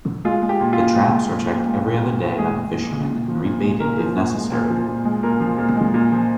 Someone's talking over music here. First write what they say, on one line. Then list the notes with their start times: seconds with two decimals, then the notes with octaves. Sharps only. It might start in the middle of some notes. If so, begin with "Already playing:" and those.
The traps are checked every other day by the fisherman and rebaited if necessary.
0.25 G#3 F4
0.42 G#3
0.49 G4
0.61 A#2
0.73 F4
0.79 A#2
0.96 G#3 F4
1.14 G#3
1.31 A#2
1.50 A#2
1.68 G#3
1.85 G#3
2.03 A#2
2.20 A#2
2.38 G#3 G#4
2.56 G#3
2.74 A#2
2.92 A#2
3.09 A#2
3.28 F3
3.46 A#2
3.63 G#3
3.80 A#2 A#4
3.99 F3
4.17 A#2
4.34 G#3
4.51 A#2
4.70 F3
4.88 A#2
5.05 G#3
5.23 A#2 A#4
5.40 F3
5.58 A#2
5.76 G#3
5.94 A#2
6.12 F3